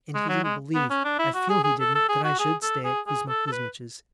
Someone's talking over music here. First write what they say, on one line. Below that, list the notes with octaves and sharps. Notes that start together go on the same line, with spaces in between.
And he didn't believe, I feel he didn't, that I should stay at Kuzma Kuzmitch's.
G#3
F#3
G#3
B3
C#4
D4
E4
F#4
G#4
G#4
A4
A4
G#4
F#4
G#4
A4
G#4
G#4
A4
A4
B4